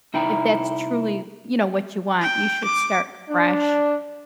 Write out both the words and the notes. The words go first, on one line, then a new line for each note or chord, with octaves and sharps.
if that's truly, you know, what you want, you should start fresh,
C2 D#4 E4 G5
G5
D6
D4